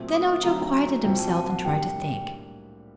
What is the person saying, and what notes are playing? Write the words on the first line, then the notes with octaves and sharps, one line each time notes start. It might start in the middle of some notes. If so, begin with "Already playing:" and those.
Then Ojo quieted himself and tried to think.
Already playing: A#2 F#3 A3 C4
D#6
D6
D3 F#3 A3 C4 D#4 A#5
C2 A#2 F#3 C4 G5
A5
A5
F#5
A2 G3 A#3 D4 G4 G5